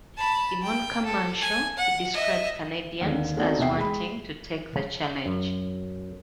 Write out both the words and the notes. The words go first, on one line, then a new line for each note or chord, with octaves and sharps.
In one commercial, he described Canadians as wanting to take the challenge.
A5 B5
G5
A4
G#5
F#5
D#5 E5
D#2 D3
A3 B3 C4 D4 D#4 F#4
F1 E2 B3 E5 G5 C7
G#3 B5
F#2